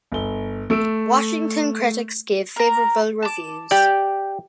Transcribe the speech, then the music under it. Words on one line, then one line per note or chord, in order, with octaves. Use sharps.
Washington critics gave favorable reviews.
G1 G7
A3 E6 D7
A#4 A#5
A5 D6
G4 D5 G6